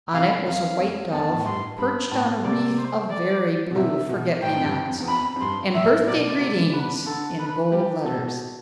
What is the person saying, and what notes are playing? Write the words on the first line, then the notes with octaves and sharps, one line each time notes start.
On it was a white dove, perched on a wreath of very blue forget-me-nots, and "Birthday Greetings" in gold letters.
C3 F5
F2 F5
F2
E2 A5
A2
G2 C6
G2 B5
A2 A5
C3 D5
C5
D5
B2
C3 E5
B2
A2 G5
F2
G2
F2
E2
F2 B5
F2
G2 C6
A2 E5
B2 D5
D3
C3 D5
E3
D3 B4
D3 A4
B4
G3 G4
B2 A4